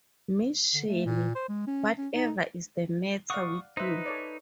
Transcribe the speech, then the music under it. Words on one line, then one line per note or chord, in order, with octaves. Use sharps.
Miss Shirley, whatever is the matter with you?
D3
A3
A#2
C5
G#3
C#4
C#4
D#4
D5 F5 F#5 C#6 D#6
D#4 B4 C5 E5
A4 C#5 D5